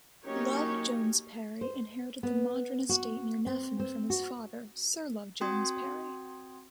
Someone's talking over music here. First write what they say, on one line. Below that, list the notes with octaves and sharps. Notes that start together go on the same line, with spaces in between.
Love Jones-Parry inherited the Madryn estate near Nefyn from his father, Sir Love Jones-Parry.
F#3 A#3 C#4 D#4 G4 C#5
C5
B3
F#4
C4
C4
F#4
C4 F#4 G5 C6 D#6 G#6